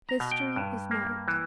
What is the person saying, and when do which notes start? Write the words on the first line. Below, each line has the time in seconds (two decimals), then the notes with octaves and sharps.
History is night.
0.09 A#5
0.20 B2
0.31 G5
0.56 G2
0.91 A#3
1.28 E3